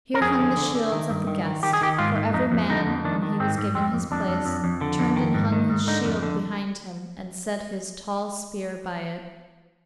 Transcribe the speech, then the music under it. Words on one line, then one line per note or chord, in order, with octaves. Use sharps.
Here hung the shields of the guests; for every man, when he was given his place, turned and hung his shield behind him and set his tall spear by it.
A#4
F2 G#4
D3
D3
D3
D#3
G2
D#3
D#3
D#3 G4
G#4
D#3 G4
G#2 F4
G#2
F2 D#4
F2
D3 D#4
F2
D#3 D4
D#3
G#2 C4
G#2
F2 C4
F2
F2 D4
F2
F2
F2
D3
F2
D#3
G#2
D#3
G#2
D3 D#4
F2
D3